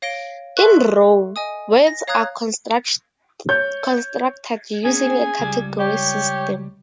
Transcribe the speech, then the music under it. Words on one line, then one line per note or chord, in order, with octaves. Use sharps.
In Ro, words are constructed using a category system.
C#5 F5 A#6 D7 G7
A4 E5 C6 C#6 F#6
D#5 G#5 D#6
A#6
C#5 F5 A#5 D#6 F#6 G#6
C#5 G6
A#3 B3 C#4 G#4 G#5
C#2 G3
G4 C#5